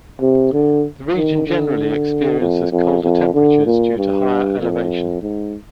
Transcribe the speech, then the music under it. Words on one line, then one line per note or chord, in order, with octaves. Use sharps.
The region generally experiences colder temperatures due to higher elevation.
C3
D3
D#3
D3
F2
F2
F2
D3
A#2
G2
F2
G#2